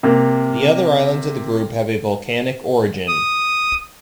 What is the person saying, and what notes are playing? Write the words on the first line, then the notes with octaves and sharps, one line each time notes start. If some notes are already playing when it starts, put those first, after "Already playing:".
The other islands of the group have a volcanic origin.
C3 A#3
D#6